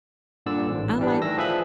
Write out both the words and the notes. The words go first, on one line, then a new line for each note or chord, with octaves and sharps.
I like
G2 A#2 D3 D5 E6
A1 G#2
E3 G3 D4
D#3 A3 E4 E6 A#6
F3 G#4 B4 E5 B5